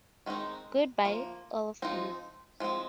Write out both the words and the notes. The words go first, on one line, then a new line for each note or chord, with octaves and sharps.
Good-by, all of you.
D#3 G#3 C4 D#4
F3 A#3
F3 G#3 C4 D#4
F3 G#3 C4